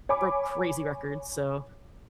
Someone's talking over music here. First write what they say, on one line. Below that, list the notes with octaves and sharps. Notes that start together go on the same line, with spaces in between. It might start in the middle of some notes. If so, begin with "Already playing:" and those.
broke crazy records, so
C#5 G#5 B5 D6